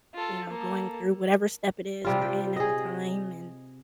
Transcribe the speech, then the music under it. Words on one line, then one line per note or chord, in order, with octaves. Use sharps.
you know, going through whatever step it is we're in at the time and
F4 A4
A#3 A4
C3 G3 F4
G5
G#4 D#5